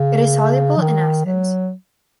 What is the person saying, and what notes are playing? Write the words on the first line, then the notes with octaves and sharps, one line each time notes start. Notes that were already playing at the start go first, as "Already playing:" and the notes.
It is soluble in acids.
Already playing: C#3
F3
D#3
F#3